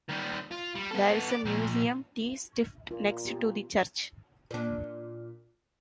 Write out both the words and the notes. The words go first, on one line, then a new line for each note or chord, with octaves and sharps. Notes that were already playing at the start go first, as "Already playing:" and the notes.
There is a museum 't Stift next to the church.
D#3 G3
F4
G3
B3 A4
D5
A#2 F3
A#2 F4
B3 G4
A#2 D4